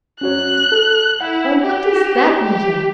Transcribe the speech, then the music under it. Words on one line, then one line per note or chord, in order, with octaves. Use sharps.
'Oh, what DOES that matter!
C#4 F#4 C#5 F#6
A4
E4 F#5
G4
G4